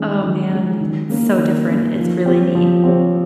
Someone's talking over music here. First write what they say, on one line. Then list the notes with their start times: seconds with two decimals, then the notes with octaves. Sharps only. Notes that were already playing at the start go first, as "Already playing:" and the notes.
oh, man, so different. It's really neat.
Already playing: D#3 G#3 C#4
0.22 D#3
0.51 G#3 C#4
0.80 D#3
1.10 A#3 C#4
1.38 D#3
1.68 A#3 C#4
1.97 F3
2.26 C4 G4 C#5
2.55 F3
2.84 C4 G4 C#5